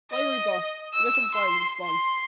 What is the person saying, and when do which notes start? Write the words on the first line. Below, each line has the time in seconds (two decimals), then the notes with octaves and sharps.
Play Repo, with some friends, it's fun.
0.11 D#5
0.94 E6
1.34 C6
1.83 C6